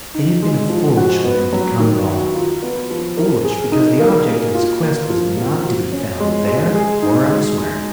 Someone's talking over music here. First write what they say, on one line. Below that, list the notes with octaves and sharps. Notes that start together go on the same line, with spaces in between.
It had been a foolish whim to come at all--foolish, because the object of his quest was not to be found there or elsewhere.
D#4
G#3
F3
F#4
B3
F#3
D#3
F#4
F4
B3
F3
A#4
G#4
D#4
A#3
A#3
F4
A#3
F3
F3
F#4
C#4
G#3
G#3
G#4
D#4
G#3
G#3